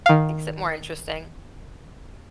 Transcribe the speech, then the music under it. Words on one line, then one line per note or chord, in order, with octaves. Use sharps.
makes it more interesting.
D#3 F5